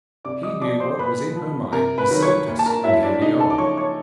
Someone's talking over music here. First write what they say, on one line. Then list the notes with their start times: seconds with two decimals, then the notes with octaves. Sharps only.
He knew what was in her mind and saved us, and here we are.
0.25 C3 D5 D6
0.43 D#5 D#6
0.61 F3 D5 D6
0.80 C5 C6
0.99 A#2 B4 B5
1.36 F3
1.73 C3 A#4 A#5
1.98 B4 B5
2.11 D#3 F#3
2.22 C#5 C#6
2.47 A#2
2.59 A5
2.66 A#4 A#5
2.84 F#3 E4 E5
3.02 D4 D5
3.21 C#3 D#4 D#5
3.39 A4 A5
3.50 D6
3.58 F3 C#5 C#6
3.77 C#5 C#6